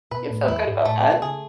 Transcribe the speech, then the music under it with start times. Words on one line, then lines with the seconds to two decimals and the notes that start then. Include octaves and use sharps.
You feel good about that?
0.11 B2 B4
0.30 A2
0.48 E2 E4
0.67 G#2
0.85 A2 A3
1.11 B2
1.22 C#3 G#4